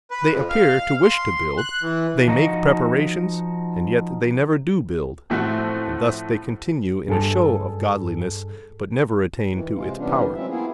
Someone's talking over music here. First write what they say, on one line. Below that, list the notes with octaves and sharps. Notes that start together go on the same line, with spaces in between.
They appear to wish to build, they make preparations, and yet they never do build; and thus they continue in a show of godliness, but never attain to its power.
B4
F2
F5
C6
F#6
E3
F3 D#4 F#4
A2 F3 A3 C4 F#4
G2 G#4 A4
D#3 E3
C3 G#3 F4
C3 E3 G3 B3 C#4 D4
F#3 G#3 C4 F4 E5
A#3 B3 E4 F4 G#4